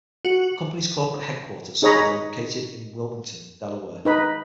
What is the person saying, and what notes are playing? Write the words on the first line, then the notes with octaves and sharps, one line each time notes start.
The company's corporate headquarters are located in Wilmington, Delaware.
F#4
D#4 G#4 C#5 D#5 A#5 B5
D#4 B4 B5